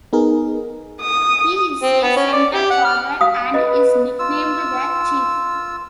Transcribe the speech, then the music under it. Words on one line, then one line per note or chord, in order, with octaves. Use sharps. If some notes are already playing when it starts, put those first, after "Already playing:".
He is a centre forward and is nicknamed the "Chief".
B3 D#4 G#4 A#4
D#6
C4
B3
C#4
D5
G4
F#5
F6
F5 D#6
B4 D#5
F4 E6